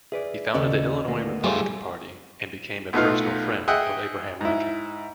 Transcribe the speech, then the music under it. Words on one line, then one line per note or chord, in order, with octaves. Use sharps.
He founded the Illinois Republican Party and became a personal friend of Abraham Lincoln.
G#4 B4 D5 E5
D#2 C#3 A4 B4 D5 D#5
D2 A#3 B3
G3 A3 F4 G#4 G#5
B1 A3 B3 D#4 F4 F5
G#4 D#5 E5 F#5 G5
G#2 E4